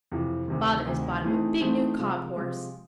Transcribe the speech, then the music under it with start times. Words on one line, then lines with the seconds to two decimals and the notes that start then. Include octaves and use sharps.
Father has bought him a big new cob horse.
0.12 F2 C3 E3
0.48 D2 C3 D#3
0.86 D2 C3 D#3
1.24 E3 A3 C4 D#4 G#4
1.61 E3 A3 C4 D#4 G#4
1.98 C3 F3 G#3
2.36 C3 F3 G#3